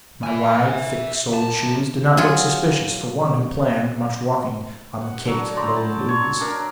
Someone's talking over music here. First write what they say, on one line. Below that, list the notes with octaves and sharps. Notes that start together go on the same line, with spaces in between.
My wide, thick-soled shoes did not look suspicious for one who planned much walking on the caked Lowland ooze.
E5 G#5
F#2 A5
F#3 F4 G#4
F#5
D3 F#3
C5 D5 A#5 B5
A5
C#5
D4 A#4 A#5